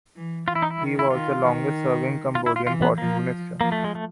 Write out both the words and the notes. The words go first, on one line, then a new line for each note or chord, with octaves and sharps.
He was the longest serving Cambodian foreign minister.
E3
E3 F4
E4
D#4
E4
D#3
E4
D#3 F4
D#3
F4
E4
F4
E3 F4
B3
F3 A#3
F3 A#3
A3
G#3
A3